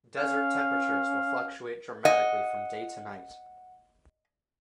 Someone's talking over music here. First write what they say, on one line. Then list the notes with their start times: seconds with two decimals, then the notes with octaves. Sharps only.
Desert temperatures will fluctuate dramatically from day to night.
0.17 C#4 F5
2.05 D#5 F#5